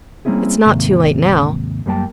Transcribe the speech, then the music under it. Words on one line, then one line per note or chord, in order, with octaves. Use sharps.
"It's not too late, now."
G3 A#3 C4 C#4 E4 G#4
D#2 G#2 C3 A#3
F#2 G3 A#3 B4 G5 A5